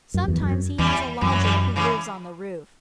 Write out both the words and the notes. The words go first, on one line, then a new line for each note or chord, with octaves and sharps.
Sometimes he has a lodger who lives on the roof.
F#2
E2
F#2
E2 E3 G3
F#2 E3
F#3
E3 G3
C#3 E3